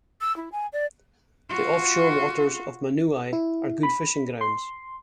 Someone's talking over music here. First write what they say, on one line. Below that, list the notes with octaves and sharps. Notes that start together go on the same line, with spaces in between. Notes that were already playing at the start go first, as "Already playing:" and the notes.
The offshore waters of Manuae are good fishing grounds.
E6
E4
G#5
D5
F4 F#4
E4
B5
C6